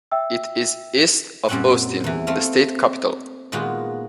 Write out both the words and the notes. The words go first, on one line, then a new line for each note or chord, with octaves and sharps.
It is east of Austin, the state capital.
E5 G5 E6
F#2 A#2 G3 C4 C#4 F#5
E2 E3
A3 C4 F5
A#2 D#3 G#3 B3 F4 F#4